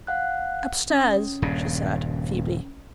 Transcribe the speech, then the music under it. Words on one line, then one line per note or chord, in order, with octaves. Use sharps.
"Up stairs," she said, feebly.
F5 F#5 F#6
C#4
D#1 G2 C#3